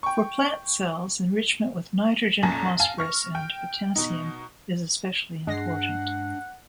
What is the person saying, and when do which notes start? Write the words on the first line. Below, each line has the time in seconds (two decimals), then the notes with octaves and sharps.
For plant cells, enrichment with nitrogen, phosphorus, and potassium is especially important.
0.03 G5 C#6
2.43 B1 F#2 A#2 G#5 A5 A#6
2.80 F5 G#5 A5
2.98 C#6 F6 A#6
3.35 G5
3.96 B2 D#4
5.47 G2 G#3 D4 F#5 A#6 C7